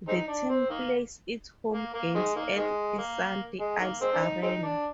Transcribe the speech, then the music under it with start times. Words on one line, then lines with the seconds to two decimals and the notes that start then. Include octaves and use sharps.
The team plays its home games at Isanti Ice Arena.
0.08 G#3 C4 D#4
0.28 D4
0.49 C4
0.70 D#3 A#3
1.74 A#3
1.94 A#3
2.15 D#3 G#3
2.36 D#3 A#3
2.56 D#3 G#3
2.98 A#3
3.60 G#3
3.80 D#3 A#3
4.01 G#3 C4
4.12 D4
4.22 D#4
4.42 G#3 C4 D#4
4.63 D4